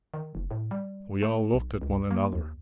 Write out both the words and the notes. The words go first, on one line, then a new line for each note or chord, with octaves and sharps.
We all looked at one another.
D#3
F#1
A2
G3
A3
B1
C#2
A#3
D#2